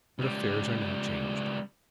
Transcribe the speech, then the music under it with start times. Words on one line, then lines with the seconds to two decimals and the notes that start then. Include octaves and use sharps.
But affairs are now changed.
0.19 C#2 G3